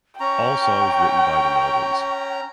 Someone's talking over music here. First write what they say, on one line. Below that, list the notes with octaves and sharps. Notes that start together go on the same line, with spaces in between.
All songs written by The Melvins.
C#4 G5 A#5 C#6